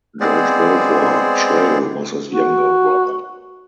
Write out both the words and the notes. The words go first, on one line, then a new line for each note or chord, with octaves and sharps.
George Balfour Traill was his younger brother.
G#3 B3 C4 G#4 C5 D5
F#4